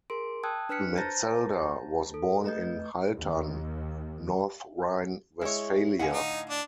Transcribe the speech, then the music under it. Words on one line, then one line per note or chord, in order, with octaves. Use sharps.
Metzelder was born in Haltern, North Rhine-Westphalia.
G#4 A#4 C6 D7
G5 A5 D#6 E6 F#6 G#6
D4 B4 F6 F#6 B6 C#7
C5 A5 A#5 G6 A6 A#6
A4
A3 B4 D#5 G6
D#2
G#3 E4 C#5
A2 D3 D#5 F5 F#5 G#5
D#4
D4